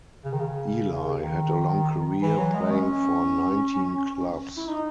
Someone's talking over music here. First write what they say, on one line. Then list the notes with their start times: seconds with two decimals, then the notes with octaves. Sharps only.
Ilie had a long career, playing for nineteen clubs.
0.25 C#3
0.33 D#3
0.41 C#3
1.23 D#3
2.22 E3
2.38 F#3
2.55 G#3
2.71 C#4
4.57 E4
4.67 D#4